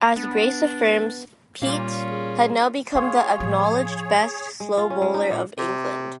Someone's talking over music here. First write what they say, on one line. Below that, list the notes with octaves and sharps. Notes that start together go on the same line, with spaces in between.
As Grace affirms, "Peate... had now become the acknowledged best slow bowler of England".
B3 D4
A#2 G3 A#3 C#4 F4 F5
G#4
E4 G#4 C#5 F5 C6 C#6
A2 F3
G#3
F4
C#4
G#3
D#4
A#2
C3